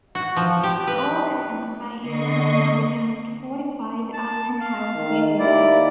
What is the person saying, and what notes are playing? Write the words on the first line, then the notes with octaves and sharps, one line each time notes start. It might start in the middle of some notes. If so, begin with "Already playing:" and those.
All attempts by human inhabitants to fortify the island have failed.
F#4
F3
G4
B4
D3 D#5 C#6 C7
A5
F5
D#3
D#2 E4 D5